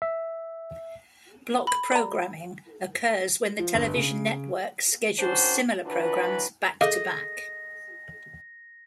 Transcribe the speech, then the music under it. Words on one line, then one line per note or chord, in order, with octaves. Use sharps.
Block programming occurs when the television network schedules similar programs back-to-back.
E5
B5
D5 A#5
F3
G1
C#3
D#3 C#4 D4 F#4 C5
E3 F#3 D4 B4
G#4 A4 D#5 F5 D6 A#6